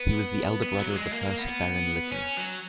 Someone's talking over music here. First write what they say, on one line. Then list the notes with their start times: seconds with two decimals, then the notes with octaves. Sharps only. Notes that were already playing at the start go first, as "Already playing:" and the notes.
He was the elder brother of the first Baron Lytton.
Already playing: B3
0.63 B3
0.79 F#3
0.96 G#3
1.13 A#3
1.38 B3
2.13 C#4
2.37 F#3